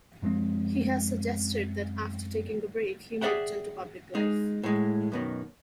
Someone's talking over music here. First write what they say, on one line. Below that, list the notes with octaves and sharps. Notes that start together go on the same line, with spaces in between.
He has suggested that after taking a break, he may return to public life.
F#2 F3 G#3 C4
G#4 A#4 D5 E5 F#5 G5
G#3 D#4
A2 G#3
F#2 B2 D#3